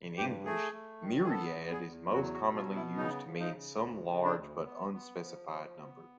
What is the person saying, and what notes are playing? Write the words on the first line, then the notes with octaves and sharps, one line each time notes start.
In English, "myriad" is most commonly used to mean "some large but unspecified number".
G2 G4
A3 G#4
A3
D#3
G#4
B3 A4
E2
G#4
E2
F#3 F#4
F#4
B2
F4
B3
E4
C#3 D#4
F3
D#4
C#3
D2
C#3
D4
D2
B3
B3
F3
F3
B3